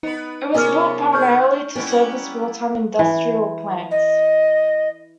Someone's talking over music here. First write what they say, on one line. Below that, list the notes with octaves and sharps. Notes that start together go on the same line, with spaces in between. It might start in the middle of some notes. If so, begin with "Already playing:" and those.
It was built primarily to service wartime industrial plants.
B3 D#4 B4
C3 B3 C#4 F4 G#4 A#4 G#5 F6
G#3 G#4 C#6 F6 G6
G3 A#3 B3 C#4 E4
E3
D#5